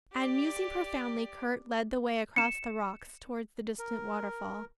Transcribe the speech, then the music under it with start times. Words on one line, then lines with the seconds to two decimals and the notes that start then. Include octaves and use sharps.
And musing profoundly, Kurt led the way across the rocks towards the distant waterfall.
0.13 G4 D5
2.36 C#7 E7
3.79 A#4